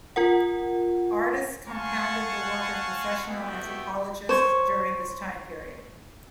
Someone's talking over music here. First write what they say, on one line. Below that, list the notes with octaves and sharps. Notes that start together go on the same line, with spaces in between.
Artists compounded the work of professional anthropologists during this time period.
F4 A#4 F#5
F5 F#5 G#5 A5 C6 C#6
A3 B3 E4 F#4 G4 G5
C5 C#5